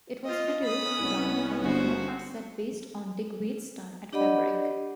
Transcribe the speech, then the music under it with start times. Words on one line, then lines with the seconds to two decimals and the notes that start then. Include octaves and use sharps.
It was whittled down from a five-hour set based on Digweed's time at Fabric.
0.24 F4 D#5
0.64 B3 C#4 B5 D#6
0.99 C2
1.62 G1 F#4 C5
4.13 D4 G4 D5 D#5 F#5 B5